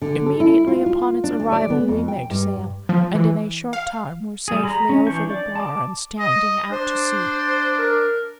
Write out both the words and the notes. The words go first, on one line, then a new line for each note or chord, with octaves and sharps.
Immediately upon its arrival we made sail, and in a short time were safely over the bar and standing out to sea.
D3
A4
E4
F4
F4
D4
D2
D5
B3
F2
G5
G2
F3
E3
F5
G3 G#4
A#5 B5
C#4
E3 D4 C#6 G6
D5
A5 D6
D#5
D4 C5
A#4